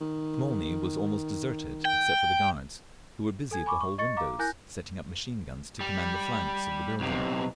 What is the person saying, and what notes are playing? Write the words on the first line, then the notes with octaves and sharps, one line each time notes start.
Smolny was almost deserted, except for the guards, who were busy at the hall windows, setting up machine-guns to command the flanks of the building.
D#3
G5
A4 G#5 G#6
G#5 B5 C#6 D6
C#6
D#5 C#6 A6 C#7
F5 A#5 D6
E4 A#4 G#5 F#6 G6 A#6
G3
B1 C3